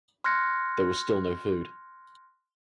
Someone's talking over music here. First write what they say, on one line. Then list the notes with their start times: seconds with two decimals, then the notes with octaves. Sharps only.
There was still no food.
0.24 C6 F6 F#6 G#6 A#6 C#7